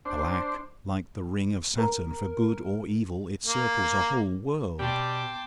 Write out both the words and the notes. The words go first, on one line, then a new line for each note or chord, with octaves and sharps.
Alack! like the ring of Saturn, for good or evil, it circles a whole world.
D4 C5
A#4
A#3
B2 G3 G5 A5 C6 D6